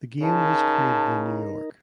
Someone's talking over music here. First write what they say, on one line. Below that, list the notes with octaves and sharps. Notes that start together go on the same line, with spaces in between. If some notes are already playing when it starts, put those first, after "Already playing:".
The game was created in New York.
C#3 D#4 A#4 A5